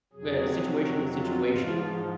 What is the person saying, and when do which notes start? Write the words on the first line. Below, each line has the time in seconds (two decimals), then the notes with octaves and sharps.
the situation to situation.
0.13 F2 C3 F#3 G#4
0.78 F#4
1.11 F4
1.43 G#2 F3 F4